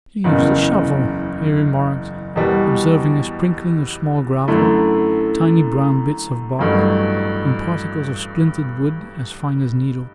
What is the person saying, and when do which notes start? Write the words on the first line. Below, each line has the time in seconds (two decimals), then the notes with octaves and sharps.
"You used a shovel," he remarked, observing a sprinkling of small gravel, tiny brown bits of bark, and particles of splintered wood as fine as needles.
0.24 F#1 E2 C#3
2.36 E2 B2 G3
4.48 F#2 D3 A3 E4
6.59 A1 G2 F#3 A3